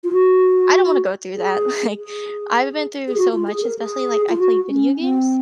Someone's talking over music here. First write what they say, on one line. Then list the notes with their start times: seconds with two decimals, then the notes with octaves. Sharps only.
I don't wanna go through that, like, I've been through so much, especially, like, I play video games,
0.04 F4
0.13 F#4
1.35 G#4
1.96 G#4
3.08 G#4
3.18 F#4
3.33 F4
3.47 G#4
3.63 A#4
3.79 G#4
4.29 F4
4.39 F#4
4.69 C#4
5.00 C4